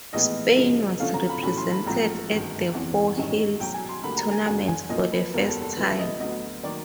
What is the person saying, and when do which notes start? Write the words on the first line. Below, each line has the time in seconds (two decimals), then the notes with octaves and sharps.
Spain was represented at the Four Hills Tournament for the first time.
0.13 A#1 A2 E3 G#3 B3 D#5
0.56 F#2 C#3 F3 G#3
1.00 F2 D3 F3 A3 C#4 F5
1.14 A#5
1.29 B5
1.43 B1 A2 E3 A3 C#4 B5
1.58 C6
1.72 B5
1.86 A#1 G#2 F3 A3 C4 A#5
2.30 G1 F#2 D#3 G#3
2.73 F#1 E2 C3 E3
3.17 G#1 G2 D#3 G#3 C#4
3.60 B1 B2 F#3 G5
3.74 G#5
3.89 C6
4.03 D2 D3 G3 A#3 B5
4.17 A#5
4.32 G#5
4.47 F#1 F#2 D3 G#5
4.68 G#5
4.89 B1 A#2 F3 A#3 D#5
5.12 B4
5.34 F#1 E2 B2 G3 A#4
5.48 A4
5.62 A4
5.76 F1 F2 D3 F3 B4
5.89 E5
5.99 D#5
6.20 D2 D3 F#3 B3 D#5
6.63 D#3 F#3 A#3 D5